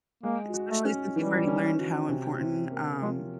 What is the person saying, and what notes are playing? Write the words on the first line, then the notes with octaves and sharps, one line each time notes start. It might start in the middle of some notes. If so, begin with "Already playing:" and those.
And especially since you've already learned how important, um,
G#3 A#3
F#4
A3
C#4
E3 G3
C#4
F#4
C3
C3
A#3
F3 G#3